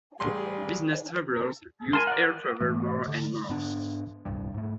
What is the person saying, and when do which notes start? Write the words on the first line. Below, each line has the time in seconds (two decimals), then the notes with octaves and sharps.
Business travellers used air travel more and more.
0.20 A1 G3 G#4 C6
1.93 A#4 G#5 A5 C6
2.07 D5 F#5
2.61 G#2 E3 A3
3.08 D3
3.49 G#2 B3 D4
4.25 D1 C2 G2 G3
4.54 G#2 A3